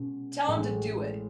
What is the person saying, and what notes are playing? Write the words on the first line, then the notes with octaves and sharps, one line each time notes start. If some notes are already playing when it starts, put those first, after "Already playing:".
"Tell them to do it."
Already playing: B2 G#3 C#4
A1 A2 G#3